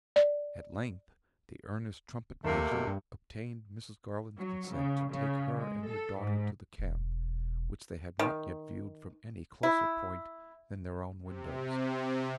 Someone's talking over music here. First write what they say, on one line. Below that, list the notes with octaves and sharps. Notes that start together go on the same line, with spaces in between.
At length the earnest trumpet-major obtained Mrs. Garland's consent to take her and her daughter to the camp, which they had not yet viewed from any closer point than their own windows.
D5
D#2 C3 A3 A#3
B2
G2
F#3
C#3
C#3
G#3
A4
G#2
E1
D#3
E4
C3